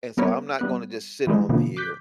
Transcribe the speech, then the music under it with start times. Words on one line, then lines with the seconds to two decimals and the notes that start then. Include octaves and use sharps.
and so, I'm not gonna just sit on here,
0.17 G3 B3 A#4 B4 C#5
0.59 G3 B3 F#6
1.27 E3 G3 G#3
1.49 B2 D3 E3 F3 A#3 B3
1.77 D6 F#6 G6 B6